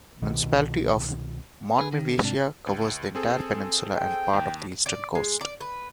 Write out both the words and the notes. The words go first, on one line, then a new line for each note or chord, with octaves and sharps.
The municipality of Monemvasia covers the entire peninsula and part of the eastern coast.
C2 B2 D#3
G#4 B4
D#3
D3
G#2 C3 D4
C#2
C4 G#4 A4
G5
D#2
D5
G#3
D5
B4